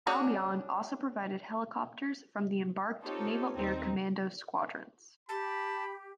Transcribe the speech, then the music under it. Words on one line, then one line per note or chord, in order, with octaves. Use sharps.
"Albion" also provided helicopters from the embarked Naval Air Commando squadrons.
C#4 D4 F#4 G#4 D5
C4 D#4 F4 G4 A4 C#5
D#2 C4 D#4
G4 A5 B5